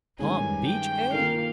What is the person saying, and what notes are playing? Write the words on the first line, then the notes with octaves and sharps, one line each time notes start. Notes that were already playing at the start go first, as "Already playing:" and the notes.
"Palm Beach, eh?"
G2 D#3 G#3 C#4 G#5
G5
D#3 A#3 F4 A#4 F5